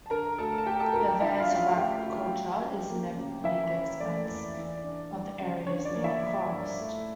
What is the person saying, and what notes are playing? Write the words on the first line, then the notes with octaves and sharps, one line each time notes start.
The advance of agriculture is inevitably at the expense of the area's native forest.
A5
D3 A#4 A#5
D2 A4 A5
A5
A3 G4 G5
A4 A5
D2 A#4 A#5
G4 G5
D3 E4 E5
F4 F5
C#4
F4 F5
A3 G4 G5
D2
G3
C#4
A#3
C#3
E3 E4 E5
C#4
A3 D5
E2
E3
D4
G3
C#3
D3 C#5
D5
A#3
E4 E5
F3
G2
A3